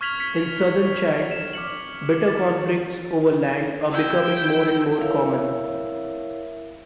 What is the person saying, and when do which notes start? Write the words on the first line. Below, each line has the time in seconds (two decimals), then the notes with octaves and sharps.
In southern Chad, bitter conflicts over land are becoming more and more common.
0.01 C#6 F6 G#6 B6 F7 F#7
0.20 F6 B6 C#7
1.31 E7
1.53 D6 F6 C#7 F#7
2.28 A6
3.91 E4 G5
5.00 E4 A#4 C#5 E5 F5